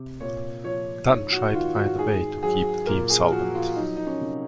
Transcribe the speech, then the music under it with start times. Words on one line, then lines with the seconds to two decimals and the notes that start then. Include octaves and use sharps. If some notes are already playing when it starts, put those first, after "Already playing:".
Dunn tried to find a way to keep the team solvent.
Already playing: C3
0.20 A#2 C#5
0.64 F3 C#5
1.08 G#2 C#5
1.32 F#4
1.54 D#3 F4
1.76 F#4
1.98 G#2 G#4
2.43 F#3 G#4
2.87 A#2 A#4
3.10 G#4
3.31 F3 F#4
3.55 F4
3.76 F#3 D#4
3.96 D#4
4.07 C#4
4.22 C3